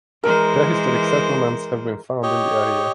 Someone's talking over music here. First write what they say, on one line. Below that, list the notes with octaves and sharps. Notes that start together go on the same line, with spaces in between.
Prehistoric settlements have been found in the area.
E3 G#3 A#4 C5
G4 C#5 D#5